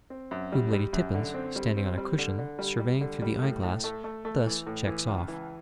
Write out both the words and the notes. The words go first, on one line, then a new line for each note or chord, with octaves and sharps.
Whom Lady Tippins, standing on a cushion, surveying through the eye-glass, thus checks off.
C4
F#2
G3
G3
F#2
D3
C4
G3
C4
G3
D3
D3
G3
G3
D3
G3
A2
A2
A3
A3
A3
E3
A2
E3
C#2
E3